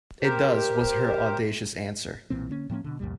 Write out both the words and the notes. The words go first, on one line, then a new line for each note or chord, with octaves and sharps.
It does, was her audacious answer.
G4 A#4 C5
B1 A#2 E3 C4
D3 A#3 C#4
A2 F3 A#3 C#4
B2 D3
C2 F2 A#2 G3